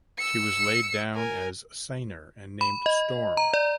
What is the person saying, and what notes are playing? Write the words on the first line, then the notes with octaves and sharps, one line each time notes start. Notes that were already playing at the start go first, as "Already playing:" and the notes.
She was laid down as seiner and named "Storm".
E6 C#7
A#4 G#5
B5
D#5
A#5
D5